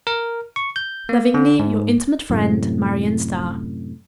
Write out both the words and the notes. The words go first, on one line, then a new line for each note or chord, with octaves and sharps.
Lovingly, your intimate friend--Marion Starr.
A#4
C#6
G6
A#3
D3
G#2
F#2 A2 C3